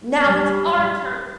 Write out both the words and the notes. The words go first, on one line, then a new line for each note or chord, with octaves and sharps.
Now it's our turn!...
G3